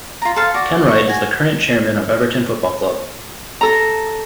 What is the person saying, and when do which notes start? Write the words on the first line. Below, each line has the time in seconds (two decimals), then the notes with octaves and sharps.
Kenwright is the current chairman of Everton Football Club.
0.22 F4 A#5
0.36 A4 C5 F5 A5
0.54 F#4 D5
0.88 C#6
1.07 F#4 G#5
3.61 A4 A#5